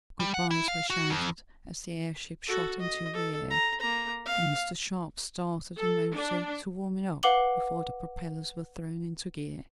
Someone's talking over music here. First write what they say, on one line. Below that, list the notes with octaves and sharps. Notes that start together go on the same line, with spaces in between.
Good-bys were shouted as the airship shot into the air, and Mr. Sharp started the motor, to warm it up before the propellers were thrown into gear.
G3
F#5
E4
F5
F#4
F2
F#4 A4
D#5
A4
A#5
A#3 A#5
F5
A4
D4
B4 F5 F#5 D6 F#7 G7